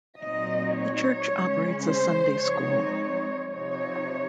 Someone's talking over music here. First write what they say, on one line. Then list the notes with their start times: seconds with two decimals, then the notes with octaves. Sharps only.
The church operates a Sunday school.
0.19 A#2 F#3 C4 D#4 D#5
0.75 C#5
1.29 C#3 G#3 C#4
1.85 C5
2.40 F3 G#3 C4 D#4 C#5
2.95 C#5
3.50 C3 F3 C4 D#4 C#5